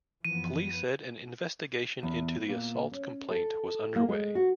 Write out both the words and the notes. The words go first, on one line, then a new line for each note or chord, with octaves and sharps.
Police said an investigation into the assault complaint was underway.
F#2 E3 F3 B3 D#7
E2
A#2
C#4
A4
A#3
G#3
F#4